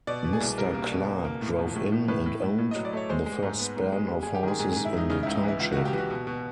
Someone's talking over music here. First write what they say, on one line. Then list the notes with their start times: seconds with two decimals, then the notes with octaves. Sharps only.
Mr. Clark drove in, and owned, the first span of horses in the township.
0.07 B2 D5
0.25 B2
0.33 G#4
0.41 C2
0.58 G3 A#4
0.74 A#3
0.92 B2
1.08 A#3
1.24 A#3
1.41 A2
1.58 F3
1.76 A2
1.92 A2
2.08 A2 B4
2.26 A2
2.42 A2
2.58 A2
2.71 F#3 D#5
2.85 D5
2.93 A3 C#5
3.09 G#3 C5
3.26 G#3
3.43 G#2
3.59 B3
3.76 G#2
3.92 G#3
4.10 G3
4.23 G3 G#4
4.35 G4
4.43 D#3 G#4
4.59 G#2 G#4
4.72 G#2 G#4
4.85 E4
4.93 G#2 D#4
5.10 C#3 D#4
5.23 C#2 E4
5.35 D#4
5.43 E3
5.48 E4
5.60 C#2 F4
5.72 C#2 F#4
5.85 G4
5.93 E3 F#4
6.10 B2
6.27 B2